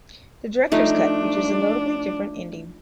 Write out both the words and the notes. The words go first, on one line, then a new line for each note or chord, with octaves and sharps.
The director's cut features a notably different ending.
F3 A3 D4 D#4